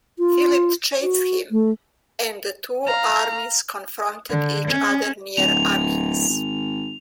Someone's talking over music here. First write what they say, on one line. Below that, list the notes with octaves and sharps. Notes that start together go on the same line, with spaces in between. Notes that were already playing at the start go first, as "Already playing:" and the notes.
Philip chased him, and the two armies confronted each other near Amiens.
F4
F#4
A3
F5 A#5
D3
C#4
D1 F7
G#1